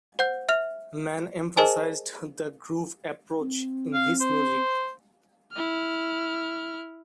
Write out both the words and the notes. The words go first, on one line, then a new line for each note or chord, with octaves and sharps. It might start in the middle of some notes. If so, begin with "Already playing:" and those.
Mann emphasized the groove approach in his music.
C5 F#5 G6
E5 F6 F7
G#4 A#4 C5 D#5 G#5 A5
C4
F5
C5
E4 F6